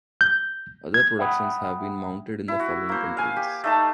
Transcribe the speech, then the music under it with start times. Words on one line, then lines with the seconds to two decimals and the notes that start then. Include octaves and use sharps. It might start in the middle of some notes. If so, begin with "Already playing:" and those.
Other productions have been mounted in the following countries.
0.21 G6
0.94 G#6
1.19 E5 F#5 G5 B5 D#6
2.48 E4
2.59 F#4
2.89 A#3 C5
3.17 F5 G#5
3.36 G4
3.64 A3 D#4 A5